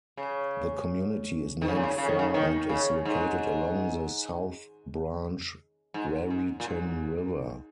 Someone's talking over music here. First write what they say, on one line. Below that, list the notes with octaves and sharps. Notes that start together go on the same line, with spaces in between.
The community is named for and is located along the South Branch Raritan River.
C#3
D#3
C#3
A#2
C#3
C#3
D#3
C#3
D#3
C#3
G#2
G#2
G#2
A#2
G#2